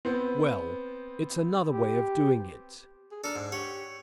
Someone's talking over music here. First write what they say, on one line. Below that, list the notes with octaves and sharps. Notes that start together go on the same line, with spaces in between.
"Well ... it's another way of doing it."
B3 C4
G4
G#4
D4 A4 A#4
G#2
G4 C#5 F#5